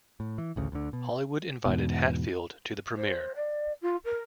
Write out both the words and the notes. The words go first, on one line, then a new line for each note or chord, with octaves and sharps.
Hollywood invited Hatfield to the premiere.
A2
E3
A1 D2 C#3
D2 D3
B2
E2 G#2 B2
C5
D5
F4
A#4